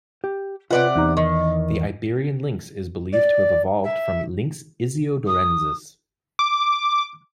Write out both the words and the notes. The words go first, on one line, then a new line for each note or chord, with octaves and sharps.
The Iberian lynx is believed to have evolved from "Lynx issiodorensis".
G4
C3 F4 B4 C#5 D5 F#5
E2 D#4 A#5
D#3
D5
E5
D#6
D6